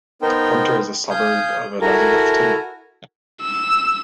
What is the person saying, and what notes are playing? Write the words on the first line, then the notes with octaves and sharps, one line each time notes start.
Hunter is a suburb of Elizabethton.
B3 D#4 A#4 C5 G5
F5 G#5 D#6 G6
E4 F#4 A4 A#4 G#5 A#5
E6